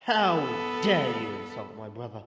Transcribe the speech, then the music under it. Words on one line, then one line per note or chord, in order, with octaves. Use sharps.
How dare you insult my brother!
B3 A4